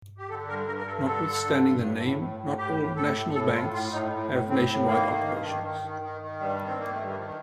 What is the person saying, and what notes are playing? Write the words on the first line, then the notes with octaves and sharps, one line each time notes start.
Notwithstanding the name, not all "national banks" have nationwide operations.
G4
D3 A4
G2 A#4
G2 A#4
A#4
G2 A4
D3 A4
D3
G2
G2
A2
A2
A2
A2
A2 G4
A2
A2 A4
A2
A2 A4
A2 F4
A2 F4
A2 D#4
A2
A2
A2 C4
A2
D#3 A#3
D#3
G2
D#3
D#3
D#3
D#3
D#3
G2 G3
D#3
C4
D#3 A#3
A3
G2
G3
D#3 F3